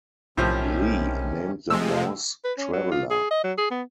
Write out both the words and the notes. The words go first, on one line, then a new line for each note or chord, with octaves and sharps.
Lee named the horse "Traveller".
B1 A2 C3 D#3 F3 C#4
C3 F3 G#3 A3 E6
B4
C#4
F#3
F4
G#4
D#5
F#3
G#4
B3